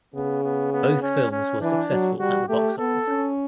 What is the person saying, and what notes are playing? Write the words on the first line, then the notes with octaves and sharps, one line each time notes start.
Both films were successful at the box office.
C#3 B3
B3
B3
C#4
C#4
E3 D4
F#3
G3 F#4
A3 G4
B3 A4
C#4